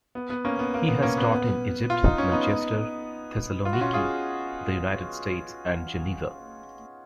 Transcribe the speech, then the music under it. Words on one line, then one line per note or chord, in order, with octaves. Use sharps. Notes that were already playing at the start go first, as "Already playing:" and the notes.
He has taught in Egypt, Manchester, Thessaloniki, the United States, and Geneva.
B3
B3
A#3 C#4
B3
A#3
B3
A#3 C#4
B3
B3
F4
D#4
C#4
B3 D#4
F4
F#4
C#4 F4
F4 G#4